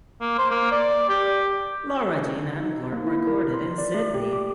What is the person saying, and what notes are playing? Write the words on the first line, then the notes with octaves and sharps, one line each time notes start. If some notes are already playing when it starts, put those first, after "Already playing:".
Laura Jean Englert recorded in Sydney.
A#3
C5
A#3
D5
G4
D#4
A#3
E4
A#4
C6
D5
A3
G4
D6